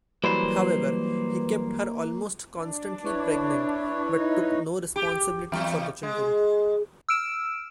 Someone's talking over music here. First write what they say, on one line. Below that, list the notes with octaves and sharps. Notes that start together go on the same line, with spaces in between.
However, he kept her almost constantly pregnant, but took no responsibility for the children.
E3 F#3 G3 A#3 B4 C5
D4
E4 B4 C#5
D#4
G4
E2
G#3
E6 F6 D7 E7